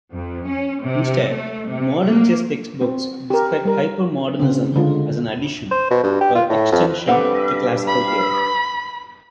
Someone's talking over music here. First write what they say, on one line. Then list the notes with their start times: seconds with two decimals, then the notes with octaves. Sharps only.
Instead, modern chess textbooks describe hypermodernism as an addition, or extension, to classical theory.
0.11 F2
0.46 C#4
0.82 C3
1.32 A3
1.71 C3
2.07 A#3
2.81 C4
3.30 G4 A#4
3.65 G3 A#4
4.39 C#3 C4
4.76 D3 G#3 F4
5.71 C5
5.90 B2
6.03 G2
6.21 G4
6.35 F4
6.49 A2
6.72 F2
7.07 G2 C4 A4 B4 F#5 D6
7.88 B5